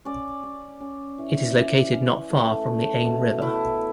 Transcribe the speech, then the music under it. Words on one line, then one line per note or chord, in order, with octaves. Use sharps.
It is located not far from the Ain River.
C#4 D5
C#4
C#4
E3
E3
C#4
A3
A3
B2
A3 E4